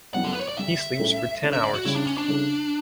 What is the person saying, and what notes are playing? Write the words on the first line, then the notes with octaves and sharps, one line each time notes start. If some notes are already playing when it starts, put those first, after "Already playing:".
He sleeps for ten hours.
F#2 E3 G3 B3 F#5
A4
B4
C#5
D5
D3 G3 D4 E5
A2 G3 C#4 E4 A4
D3 A3 C#4 E4
E5
D5
F#4
C#3 G3 C#4 E4
D4
C#4
D4
C#3 G3 C#4 E4 A4